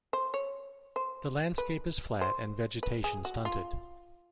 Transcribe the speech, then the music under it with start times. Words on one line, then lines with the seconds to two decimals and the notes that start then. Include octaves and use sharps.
The landscape is flat and vegetation stunted.
0.13 C5
0.34 C#5
0.96 C5
1.58 B4
2.21 C5
2.83 B4
3.04 G#4
3.25 F#4
3.45 F4